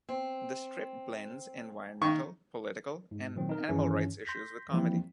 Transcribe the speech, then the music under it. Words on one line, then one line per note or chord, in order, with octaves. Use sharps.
The strip blends environmental, political, and animal rights issues with comedy.
C4
D#3 C#6
G#2
A#2 D#3 F#3 C4
D#4 A#4
G2 D#3 E3 C#4 E4 G#4
C6 G6 A#6 B6
E3 F3 G3 A#3 C4 E4